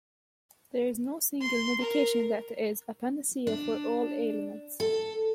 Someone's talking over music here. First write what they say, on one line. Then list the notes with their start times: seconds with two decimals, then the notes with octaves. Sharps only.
There is no single Medication that is a Panacea for all ailments.
1.41 C6
1.81 A#4
3.47 D4
4.80 A4